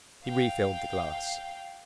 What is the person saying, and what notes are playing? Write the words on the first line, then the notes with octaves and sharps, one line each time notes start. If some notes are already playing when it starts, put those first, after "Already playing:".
He refilled the glass.
F5 G5